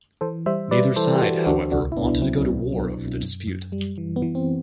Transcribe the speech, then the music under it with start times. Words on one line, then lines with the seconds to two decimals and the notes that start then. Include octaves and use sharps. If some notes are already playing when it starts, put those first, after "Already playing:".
Neither side, however, wanted to go to war over the dispute.
0.21 E3 A4 C5
0.46 G3 C5 E5
0.71 G3 B4 D5
0.96 E3 A4 C5
1.15 G4
1.22 E3 F#4 A4
1.46 D2 D4 F#4
1.72 C2 D4 F#4
1.92 E4
1.97 C2 B3 D4
2.22 F#3 C4 E4
2.47 B2
2.72 F#3
2.98 B2
3.22 F#2
3.47 F#2
3.72 G3
3.98 E3
4.16 B3
4.22 E3
4.35 C4